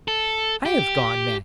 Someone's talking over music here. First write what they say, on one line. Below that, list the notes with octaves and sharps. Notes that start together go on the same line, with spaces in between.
I have gone mad....
A4
G4